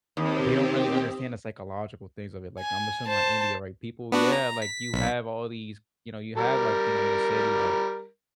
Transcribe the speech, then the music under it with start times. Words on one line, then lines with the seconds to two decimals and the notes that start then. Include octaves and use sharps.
they don't really understand the psychological things of it. Like, I'm assuming like India, right, people yeah, like, you have all these you know, you have, like, you know, in a city, like,
0.17 D#2 C4 G4
2.60 G#5
3.07 C5 A5
4.12 B3 D4 F#4
4.32 A#5
4.62 B6
4.94 B1 B6
6.38 G3 A#4